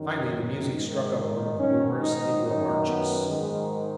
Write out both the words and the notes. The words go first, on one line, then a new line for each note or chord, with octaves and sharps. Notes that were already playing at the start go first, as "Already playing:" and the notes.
Finally the music struck up one of the numerous negro marches.
Already playing: F#2 D#3
G#2 D#3
G#2 D#3 C#4
D#4
F#2 D#3 D#4
B3
G#2 D#3 G#3